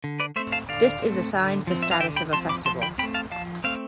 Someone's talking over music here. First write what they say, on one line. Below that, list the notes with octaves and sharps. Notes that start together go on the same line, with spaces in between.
This is assigned the status of a Festival.
D3
B4 D5
A3 C4 C5 E5
F5 A5
D3 D5 F5
A3 C4
D3
F3 C4
E5
F5
D3 E5 G5
G5 B5
F3 C4 A5 C6
B5 D6
F3 A5 C6
G5 B5
A3 C4 G5 B5
F5 A5
F3 F5 A5
A3 C4 F5